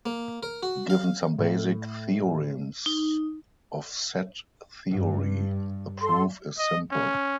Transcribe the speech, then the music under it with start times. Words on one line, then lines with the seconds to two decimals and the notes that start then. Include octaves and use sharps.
Given some basic theorems of set theory, the proof is simple.
0.06 A#3
0.43 A#4
0.63 F#4
0.90 F5
1.38 A2
2.86 D#4
4.90 G2
6.02 A4 C6
6.59 D#5
6.92 C#4